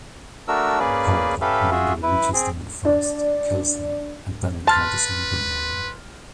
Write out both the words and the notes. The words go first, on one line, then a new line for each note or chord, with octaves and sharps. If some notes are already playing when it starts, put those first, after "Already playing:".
However, Mengele reaches the man first, kills him, and then encounters Liebermann.
A3 D4 F#4 A#4 E6
A#3 C#4 G#4 B4 D5
C#4 G4 A4 B4 E5 F5
F4 F#4 G#4 E5
E4 B4
C4 G#4
D4
B4 A5 C6 F6 A6